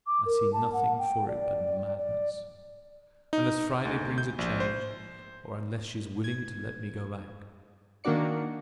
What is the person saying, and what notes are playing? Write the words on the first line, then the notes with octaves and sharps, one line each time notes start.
I see nothing for it but madness, unless Friday brings a change, or unless she is willing to let me go back.
D6
A#4
A5
F#5
G5
D5
D5
D#4
D2
G6
A#1
C5
G#6
D#3 A#3 D4 F#4 D5 C#7